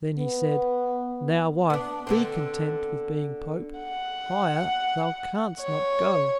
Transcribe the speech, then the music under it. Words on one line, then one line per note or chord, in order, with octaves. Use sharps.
Then he said, "Now, wife, be content with being pope; higher thou canst not go."
B3
B3 D4
D3 B3 C4
F#5
C#5